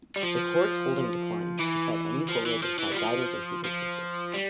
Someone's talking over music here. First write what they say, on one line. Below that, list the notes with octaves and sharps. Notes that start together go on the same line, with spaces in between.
The Court's holding declined to set any formula to provide guidance in future cases.
G3
F3
E3
F3
E3
F3
E3
G3
F3
F3
G3